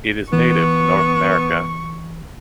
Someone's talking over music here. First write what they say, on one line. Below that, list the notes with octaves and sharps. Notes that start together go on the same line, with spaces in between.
It is native to North America.
E3 B3 C#6